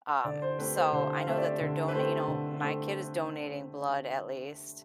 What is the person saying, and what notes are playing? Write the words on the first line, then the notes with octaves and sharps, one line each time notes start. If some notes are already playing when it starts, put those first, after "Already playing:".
Um, so I know that they're donat you know, my kid is donating blood at least.
D3 D5
C5
A3 C4 B4
C5
D3 C5
F5
A3 C4 E5
D5
D3
B4
A3 C4 C5
D3
A3 C4